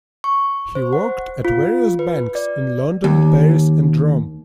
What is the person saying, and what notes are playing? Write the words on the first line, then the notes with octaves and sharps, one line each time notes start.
He worked at various banks in London, Paris, and Rome.
C#6
C5
F#5
F4
B4
D5
D#2